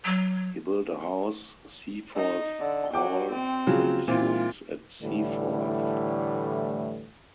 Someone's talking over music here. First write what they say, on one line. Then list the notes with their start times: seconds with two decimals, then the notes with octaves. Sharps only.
He built a house, Seaforth Hall on dunes at Seaforth.
0.05 F#3
2.15 D#4
2.60 D3
2.93 F#3 G5 D6
3.32 C4
3.67 C#3 F3 F#3
4.08 A#2 E3 C4 F4
5.02 A2 D3 E3 G3 A3